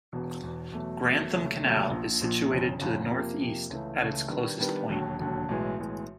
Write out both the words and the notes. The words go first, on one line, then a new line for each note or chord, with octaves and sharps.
Grantham Canal is situated to the north-east at its closest point.
E1 E2 B2
E1 E2 B2
E1 E2 B2 F#3 A3
E1 E2 B2 F#3 A3
F1 D#2 C#3 F#3 A3
F1 D#2 C#3 F#3 A3
A#1 A#2 F3
A#1 A#2 F3
G1 F2 C#3
G1 F2 C#3
F2 C3 F3 A#3
F2 C3 F3 A#3
C#2 C#3 E3 A3
C#2 C#3 E3 A3
D#3 G3 B3 D4
D#3 G3 B3 D4
E1 D#2 D3 F#3
E1 D#2 D3 F#3
B1 A2 E3 G#3
B1 A2 E3 G#3